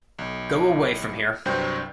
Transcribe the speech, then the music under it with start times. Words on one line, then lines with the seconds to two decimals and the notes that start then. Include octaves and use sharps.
Go away from here.
0.19 B1
1.45 C2 G2 F#3 C5 G5 G6